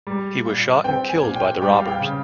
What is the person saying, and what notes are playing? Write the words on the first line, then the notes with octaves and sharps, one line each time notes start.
He was shot and killed by the robbers.
G3
A#2
C4 G5
G#5
A#2
G5
G3 G5
F5
G5
C#3